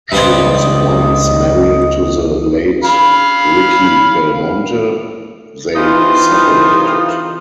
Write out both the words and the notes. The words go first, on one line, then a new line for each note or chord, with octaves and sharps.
She was once married to the late Ricky Belmonte, they separated.
C#2 G2 B3 C4 D#5
F5 B5
E3 C4 D#4 F4